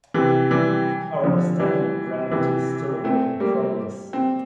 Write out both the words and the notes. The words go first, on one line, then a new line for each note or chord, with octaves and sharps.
Our understanding of gravity is still a work in progress.
C3 E3
E3 G3
D3 F3
E3 G3
C3 E3
A3 C4
G3 A#3
C4